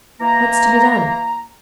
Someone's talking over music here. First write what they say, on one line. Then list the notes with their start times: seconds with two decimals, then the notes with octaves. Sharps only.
What's to be done?
0.21 E3 A#3 A#5